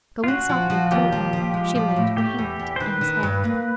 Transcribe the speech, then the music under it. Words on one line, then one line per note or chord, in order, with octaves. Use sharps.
Going softly to him, she laid her hand on his head.
F4
C#4 F#4
F3
F3
D#2 G4
F3
F3
G#3
F3
A2
A3 G4
E2
E2
C5
D#3 B4
D#3
G2
A#3